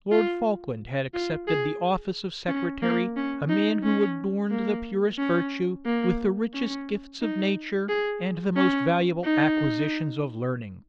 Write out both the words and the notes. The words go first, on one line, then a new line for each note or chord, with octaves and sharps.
Lord Falkland had accepted the office of secretary; a man who adorned the purest virtue, with the richest gifts of nature, and the most valuable acquisitions of learning.
F4
F4
G#4
C#4
A#3
C#4
D#4
C#4
A#3
C#4
A#3
C#4
D#4
G#4
C#4
D#4